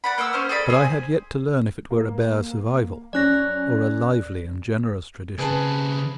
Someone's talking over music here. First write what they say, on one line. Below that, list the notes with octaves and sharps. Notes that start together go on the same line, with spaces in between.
But I had yet to learn if it were a bare survival, or a lively and generous tradition.
D5 F#5 B5
A#3 F#5 D6 E6
C#4 C5 F6
G#4 A4 D5 B5
G#4 C5 G#5
A#3
F#2 C#4 D5 F#6 A#6
C#3 C4 G#4 B4 A5